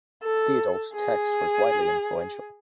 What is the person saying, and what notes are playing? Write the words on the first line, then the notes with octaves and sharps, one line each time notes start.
Theodulf's text was widely influential.
A4
G#4